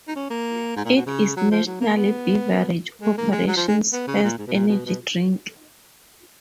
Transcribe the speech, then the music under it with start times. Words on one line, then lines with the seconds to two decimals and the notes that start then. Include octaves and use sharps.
It is National Beverage Corporation's first energy drink.
0.08 D#4
0.16 C#4
0.30 A#3
0.76 G#2
0.85 A#2
0.95 B2
1.06 C#3
1.36 F#3
1.51 F3
1.66 F#3
1.81 A#3
1.96 B3
3.01 G#3
3.17 A#3
3.32 G#3
3.47 F#3
3.56 F3
3.68 G#3
3.92 B3
4.07 C#3
4.23 A#2
4.38 G#2
4.47 B2
4.53 A#2
4.68 B2
4.86 B2